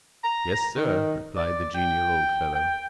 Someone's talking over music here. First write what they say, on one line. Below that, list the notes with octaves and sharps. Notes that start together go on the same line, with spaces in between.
"Yes, sir," replied the genial old fellow.
A#5
D#3
D5
G5
G5